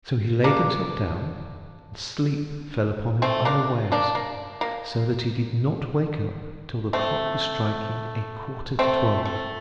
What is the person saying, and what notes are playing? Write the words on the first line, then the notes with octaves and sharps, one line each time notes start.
So he laid himself down, and sleep fell upon him unawares, so that he did not wake up till the clock was striking a quarter to twelve.
A#3 D4
A3 C4
A#3 D4
A#3 D4
A#3
A#3
A3 C4
A3 C4
A3